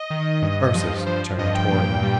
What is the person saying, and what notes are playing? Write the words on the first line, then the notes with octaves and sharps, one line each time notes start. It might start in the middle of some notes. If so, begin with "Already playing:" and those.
Ursus turned towards him.
Already playing: D#5
D#3
G2
F3
F3 C5
G2 D#5
G5
A#2
G3